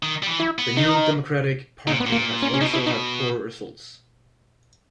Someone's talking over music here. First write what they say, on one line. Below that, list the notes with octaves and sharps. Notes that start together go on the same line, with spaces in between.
The New Democratic Party has also had poor results.
D#3
G3
E3
E4
B3
D#3 D#4
A#2 D#4
B3
A#2
A#3
C#4
C#4
B2 D#4
E4
D#4